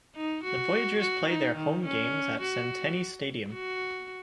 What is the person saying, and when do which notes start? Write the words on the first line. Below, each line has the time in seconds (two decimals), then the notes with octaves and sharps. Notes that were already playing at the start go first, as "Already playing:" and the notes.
The Voyagers play their home games at Centene Stadium.
0.16 D#4
0.44 F#4
1.00 F#4
1.28 D#4
1.56 D#3
1.84 C#4
2.41 F#4
3.53 F#4